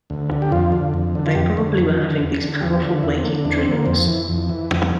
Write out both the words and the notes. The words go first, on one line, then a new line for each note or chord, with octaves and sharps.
They probably were having these powerful waking dreams.
D2
D3
G4
F2 F4
D3
F2
D3
F4
F2 G4
D3
F2
D3
E2
D3
E2 G4
F4
G4
D3
F4
E2 E4
C4
D3 A#3
E2 D4
C4
D3
A#3
F2 C4
E3
F2
E3
F2